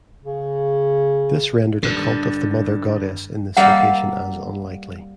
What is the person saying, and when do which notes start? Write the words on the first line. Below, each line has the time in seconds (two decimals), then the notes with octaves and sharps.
This rendered a cult of the mother goddess in this location as unlikely.
0.24 C#3
1.83 G2 D3
3.57 G3 A#3 E5 F#5